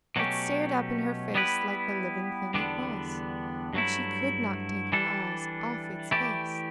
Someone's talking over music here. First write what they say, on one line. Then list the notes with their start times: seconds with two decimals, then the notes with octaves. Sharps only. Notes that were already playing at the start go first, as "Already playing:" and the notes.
It stared up in her face like the living thing it was, and she could not take her eyes off its face.
0.16 B2 F#3 A3 C#4 G4
1.35 G3 B3 E4 B4
2.54 E2 D3 G3 B3 D4
3.73 G2 F#3 A3 E4
4.92 E3 G3 D4 A4
6.11 E3 A3 E4 G4 D5